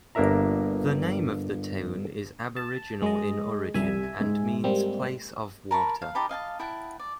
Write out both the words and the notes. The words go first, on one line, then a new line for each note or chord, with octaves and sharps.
The name of the town is Aboriginal in origin and means "place of water".
G1 A#3 D4 A#4 E5 A#5
A5
G#3 D#5
C2 G3 E5 G#5
G#2
G3 A#3 C4
A#4 A5 B5 C#6
F5
D#4 G4 A5 B5
D#5 F5 G#5 A5
E4 F#5 G5 A5
D5